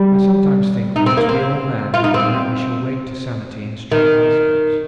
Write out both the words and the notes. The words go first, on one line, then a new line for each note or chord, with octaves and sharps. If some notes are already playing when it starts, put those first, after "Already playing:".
I sometimes think we must be all mad and that we shall wake to sanity in strait-waistcoats.
Already playing: G3
D#4
C4
A#3
C4
F4
D#4
C4
D#3